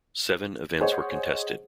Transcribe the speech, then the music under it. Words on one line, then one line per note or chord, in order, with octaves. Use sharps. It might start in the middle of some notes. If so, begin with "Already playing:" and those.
Seven events were contested.
G#4 C5 C#5 D#5 F#5